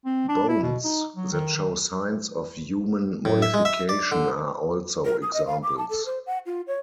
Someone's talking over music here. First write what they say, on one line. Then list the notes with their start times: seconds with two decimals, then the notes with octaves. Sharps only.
Bones that show signs of human modification are also examples.
0.05 C4
0.29 D4
0.48 E4
0.63 B2
0.84 D#4
1.16 F#3
1.32 D#3
1.56 D#3
3.25 A2
3.42 E5
3.54 G#3
3.65 E5
3.89 D5
4.12 D3
5.05 A#4
5.22 D#6
5.34 D#5
5.47 F5
5.63 D6
5.78 A5
5.90 A4
6.06 C5
6.27 F#5
6.46 F4
6.67 C#5